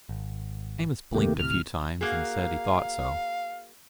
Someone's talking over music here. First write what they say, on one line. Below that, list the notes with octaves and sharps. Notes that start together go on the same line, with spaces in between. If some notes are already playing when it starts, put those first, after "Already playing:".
Amos blinked a few times and said he thought so.
G#1
D#2 C3 D#3 A3 A#3 G4
D2 A2 C3 F6
A#3 F#4 G#4 F5